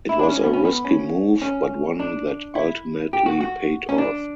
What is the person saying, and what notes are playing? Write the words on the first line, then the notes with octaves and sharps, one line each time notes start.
It was a risky move, but one that ultimately paid off.
E4
D4
C#4
B3
C#4
B3
C#4
C#4
D4
E4
G4
F#4
F#4
C#4
D4